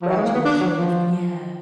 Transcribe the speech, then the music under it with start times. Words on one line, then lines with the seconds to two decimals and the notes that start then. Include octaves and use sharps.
Gradual shift, yeah.
0.02 F3
0.10 F#3
0.17 G#3
0.24 A#3
0.34 B3
0.45 D4
0.60 F#3
0.76 F3